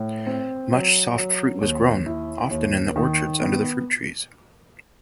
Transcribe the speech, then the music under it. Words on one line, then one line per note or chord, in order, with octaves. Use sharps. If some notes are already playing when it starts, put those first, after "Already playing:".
Much soft fruit was grown, often in the orchards under the fruit trees.
Already playing: A2
C4
F#3
F#3
D#2
E4
D#2
D#3
B3